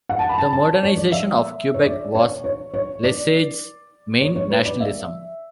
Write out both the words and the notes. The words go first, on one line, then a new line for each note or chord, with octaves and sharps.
The modernization of Quebec was Lesage's main nationalism.
F#5
A5
B5
A5
A5
C#5
D5
E5
C#5
D5
C#5
C#5
C#5
D5
C#5
C#5
B4
D5
E5